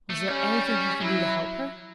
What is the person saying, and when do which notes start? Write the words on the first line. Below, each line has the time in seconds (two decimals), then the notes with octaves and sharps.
Was there anything he could do to help her?
0.10 A3
0.28 G3 C#4
0.65 C#4
1.01 F#3 E4